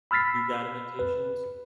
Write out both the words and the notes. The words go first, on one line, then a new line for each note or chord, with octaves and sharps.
do guided meditations.
B5 E6 F6 A6 B6 C7
B4